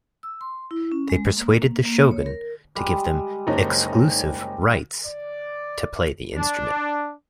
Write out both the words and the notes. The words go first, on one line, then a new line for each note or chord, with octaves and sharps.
They persuaded the Shogun to give them "exclusive rights" to play the instrument.
E6
C6
E4
C#4
G#3
A#3
A#3
C#5
A#4
G3 G#3 D#5
F#1 C#4 D#4
D5
D4